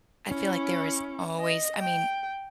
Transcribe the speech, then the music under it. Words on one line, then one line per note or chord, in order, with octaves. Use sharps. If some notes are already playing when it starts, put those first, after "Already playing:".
I feel like there is always I mean,
C#4 E4
D#5
G5